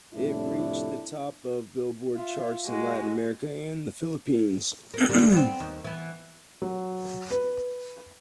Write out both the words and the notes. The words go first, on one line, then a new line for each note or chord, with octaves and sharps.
It reached the top of Billboard charts in Latin America and the Philippines.
C2 F2 A2 D4 E4
F4 E5
G#3 F#4
A#4
D3 G3 A#3
B3 C4
D#2
E3 B3
F#3
B4